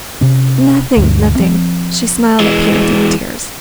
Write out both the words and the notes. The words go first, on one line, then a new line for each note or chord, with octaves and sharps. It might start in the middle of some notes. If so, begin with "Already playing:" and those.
"Nothing, nothing." She smiled at Pierre through her tears.
C3 C#4
D2 G2
F3 C4
E3 G#3